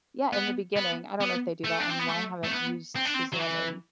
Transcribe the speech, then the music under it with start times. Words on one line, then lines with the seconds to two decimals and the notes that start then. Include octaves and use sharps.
Yeah, in the beginning, I don't know if they do that anymore, I haven't used Shazam in
0.33 B3
0.77 B3
1.21 B3
1.65 A3
1.80 D4
1.90 C4
1.99 B3
2.09 A3
2.44 A3
2.52 B3
2.96 C4
3.05 D4
3.14 C4
3.33 F#3
3.40 E3